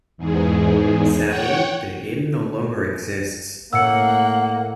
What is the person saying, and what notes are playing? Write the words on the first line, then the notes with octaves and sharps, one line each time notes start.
Sadly, the Inn no longer exists.
E2 G#2 G#3
C#5 F#5 G5
A2 A#3 F#5 E6 C#7